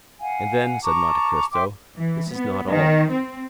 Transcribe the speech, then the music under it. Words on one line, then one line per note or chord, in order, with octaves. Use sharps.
"And then," said Monte Cristo, "this is not all."
F5 F#5 G#5
A5 A#5 C#6 D6
E5 G5 C6 D6
E3
B3
D#3
C4